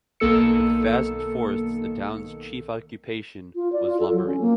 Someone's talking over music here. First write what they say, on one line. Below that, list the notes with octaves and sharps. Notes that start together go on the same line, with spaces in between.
With vast forests, the town's chief occupation was lumbering.
B1 D#3 A#3 A4 E6 C#7
F4
D5
F4
A4
F#3
C#4
A#3